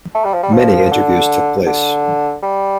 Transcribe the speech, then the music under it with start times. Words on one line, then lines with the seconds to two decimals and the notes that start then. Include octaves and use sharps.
Many interviews took place.
0.15 A3
0.24 G3
0.34 F3
0.43 G3
0.53 F3
0.91 D3
1.66 D3
2.43 G3